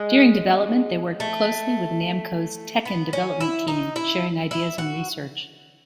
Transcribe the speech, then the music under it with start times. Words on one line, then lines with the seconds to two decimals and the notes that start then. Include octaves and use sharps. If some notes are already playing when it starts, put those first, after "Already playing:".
During development they worked closely with Namco's "Tekken" development team, sharing ideas and research.
Already playing: G#3
1.20 A3
2.85 B3
3.13 C#4
3.41 E4
3.68 D#4
3.96 E4
4.51 E4
4.78 F#4